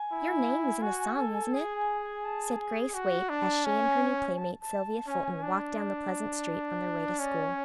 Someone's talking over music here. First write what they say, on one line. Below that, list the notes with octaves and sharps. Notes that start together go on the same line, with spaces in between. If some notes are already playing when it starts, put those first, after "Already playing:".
"Your name is in a song, isn't it?" said Grace Waite, as she and her new playmate, Sylvia Fulton, walked down the pleasant street on their way to school.
Already playing: G#5
E4
F#4
A4
G#4 G#5
G#5
G#5
A5
G#5
F#4
D4 A5
C#4 G#5
A5
A5
C#4 G#5
D4
C#4 D5
C#5